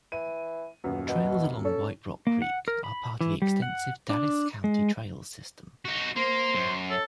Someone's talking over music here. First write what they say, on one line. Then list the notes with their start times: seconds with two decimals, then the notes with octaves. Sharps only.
Trails along White Rock Creek are part of the extensive Dallas County Trails System.
0.12 E3 D#7
0.84 D#1 F#2 B3
1.08 B2
1.65 C#4 A4
2.27 A#3
2.42 F#5
2.68 A#4
2.84 B5
3.21 E3
3.42 G3
3.62 F#5
4.10 D4
4.64 G#3
5.85 D#4 F#4
6.16 A#3 C5 C6
6.54 F#2
6.90 A4 C#5